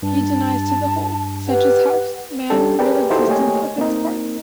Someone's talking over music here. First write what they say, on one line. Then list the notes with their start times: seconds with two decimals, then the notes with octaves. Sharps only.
He denies to the whole, such as house, man, real existence of its parts.
0.03 G2 A5
1.47 G4 B4 F#5
2.50 G3 C#4 D4 G4 A4
2.79 G4 G#4 A#4 B4 D5 G5
3.10 D#4 E4 F#4 G4 A4 C5
3.28 A3 A#3 G4 C#5 D#5 G#5
3.78 A#3 C4 D#4 A#4